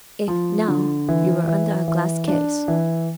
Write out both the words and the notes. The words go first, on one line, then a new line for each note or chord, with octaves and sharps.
"If, now, you were under a glass case."
F3
D3
E3
E3
E3
D4
E3